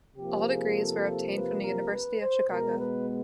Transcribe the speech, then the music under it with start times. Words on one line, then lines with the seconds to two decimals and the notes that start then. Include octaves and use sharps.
All degrees were obtained from the University of Chicago.
0.16 C3 F3 A#3 G4
0.46 G#4
0.75 A4
1.33 B4
1.62 A#4
1.91 B4
2.20 C5
2.50 B2 G#3 B3 A#4
2.79 B4